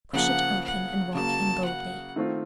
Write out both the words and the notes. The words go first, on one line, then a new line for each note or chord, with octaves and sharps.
Push it open and walk in boldly.
C#3 F3 A#3 F#5
F#5
C#3 F#3 A#3 A5
F#5
D#3 A3 C4 F4